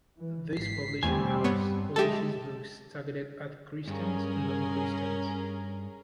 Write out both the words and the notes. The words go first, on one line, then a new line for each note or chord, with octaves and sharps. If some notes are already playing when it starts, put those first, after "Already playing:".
This publishing house publishes books targeted at Christians and non-Christians.
E3
G#1 B6 C7
E2 G3 A3 C4 G#5
G2 B3 C#5
F#3 G#3 G4 A4 D#5 E5 A5
G2 C#4 G#4 A#4